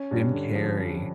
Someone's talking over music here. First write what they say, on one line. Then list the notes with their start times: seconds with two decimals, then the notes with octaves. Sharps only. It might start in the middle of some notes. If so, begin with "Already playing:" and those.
Jim Carrey.
Already playing: C#4
0.11 G2
0.33 D3
0.55 F3
0.78 C#4